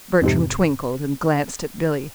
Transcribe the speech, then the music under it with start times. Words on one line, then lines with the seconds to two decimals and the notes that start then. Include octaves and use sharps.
Bertram twinkled and glanced at Billy.
0.22 F2 G#2 C3